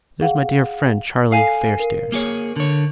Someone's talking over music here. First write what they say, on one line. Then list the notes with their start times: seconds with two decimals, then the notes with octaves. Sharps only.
There's my dear friend Charlie Fairstairs.
0.21 G#4 F5 F#5
1.32 A4 F5 G#5 D#7
1.80 A#4
2.12 A#3 G#4 C#5
2.56 D3 C#5